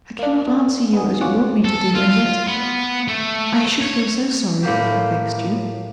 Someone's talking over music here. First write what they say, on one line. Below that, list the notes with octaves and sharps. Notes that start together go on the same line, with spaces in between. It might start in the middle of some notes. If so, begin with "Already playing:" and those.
I cannot answer you as you want me to do, and yet I should feel so sorry if I vexed you.'
A#3 D4
B3 D#4 G#4
C#4 F4 F#4 D5 F#5
A4
F4
B3
A3
C#5
A2 A#3 G4